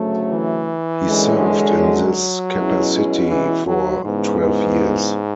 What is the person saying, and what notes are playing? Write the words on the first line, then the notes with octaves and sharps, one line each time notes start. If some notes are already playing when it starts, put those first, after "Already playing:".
He served in this capacity for twelve years.
Already playing: D2 C#3 F#3 A3
E3
F#2 D3 G#3 C#4
F#3
B2 G#3 C#4 E4
E3
F#3
G#2 C#3 E3 G#3 B3
G#2